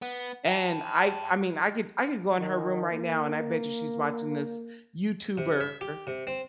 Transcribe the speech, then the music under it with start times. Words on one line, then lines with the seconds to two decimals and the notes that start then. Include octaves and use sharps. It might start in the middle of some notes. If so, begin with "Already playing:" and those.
And I I mean, I could I could go in her room right now and I bet you she's watching this YouTuber
0.02 B3
0.47 G5 A5
2.38 D#3
2.91 A#3
5.38 C3
5.61 E5
5.81 G4
6.07 C3
6.27 C4